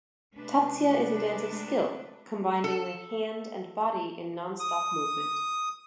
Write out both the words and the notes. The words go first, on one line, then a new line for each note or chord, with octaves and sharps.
Tatsia is a dance of skill, combining the hand and body in non-stop movement.
C3 G#3 A3 D4 B4
A4
D#6